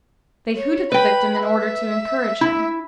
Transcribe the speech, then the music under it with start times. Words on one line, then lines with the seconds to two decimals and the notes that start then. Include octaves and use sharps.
They hoot at the victim in order to encourage him.
0.56 C#5
0.92 B4 G5 B5
1.42 E5
2.41 E4